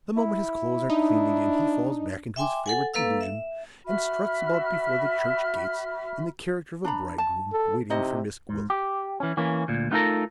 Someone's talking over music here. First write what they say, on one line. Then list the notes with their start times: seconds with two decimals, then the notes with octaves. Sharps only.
The moment his clothes are cleaned again he falls back into his favorite delusion, and struts about before the church gates, in the character of a bridegroom, waiting for Miss Gwilt.
0.17 E4
0.90 D4 D#4
2.36 E5 G5 G#5 C6 D6
2.66 A4 F#5 G#5
2.94 A#3 A4 B4 F5 E6
3.21 E5
3.85 F#4 E5 B5 F6
6.84 D4 A#5 B5
7.18 A5
7.52 A4
7.90 C3 D#4 E4 D#5
8.49 G#2
8.70 G4
9.20 E3 C#4
9.37 E3 A#3 C#4
9.68 D2 A#2
9.91 A3 B3 D#4 F4 A4 A#4